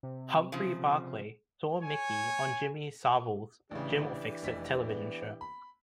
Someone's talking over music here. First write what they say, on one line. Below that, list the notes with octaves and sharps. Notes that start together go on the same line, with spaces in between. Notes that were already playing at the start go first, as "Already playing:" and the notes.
Humphrey Barclay saw Mickey on Jimmy Savile's 'Jim'll Fix It' television show.
C3
C#3 F3
C#5 G#5
A1 C#3 E3 D4 G4
F1 B6
B3
B5